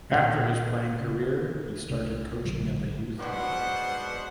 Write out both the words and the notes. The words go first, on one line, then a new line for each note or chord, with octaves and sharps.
After his playing career he started coaching at the youth level.
A#2 D#3
C#3
C2 C3 A3 D4
A#1 D3 F#3 G3
G#2 B2 B3 D4 C5 F#5